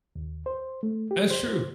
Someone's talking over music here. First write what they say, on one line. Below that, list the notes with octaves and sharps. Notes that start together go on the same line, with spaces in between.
That's true.
D#2
C5
A3
G4
C5